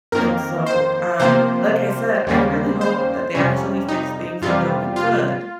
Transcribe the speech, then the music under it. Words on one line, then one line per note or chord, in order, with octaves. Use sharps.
And so, um, like I said, I really hope that they actually fix things and they'll be good,
F2 D#3 A#3 A#4
C5
C3 F3 A#3 C5
D#2 C#3 G3 A#3
C5
F2 C3 G3 C#4
D#4
F2 C3 G3 F4
F4